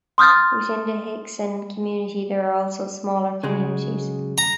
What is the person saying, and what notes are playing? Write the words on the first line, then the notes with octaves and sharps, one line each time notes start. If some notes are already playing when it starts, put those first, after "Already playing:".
Within the Hixson community, there are also smaller communities.
C6 D#6 F6 G6 A6
C#3 F#3 G#3
A#5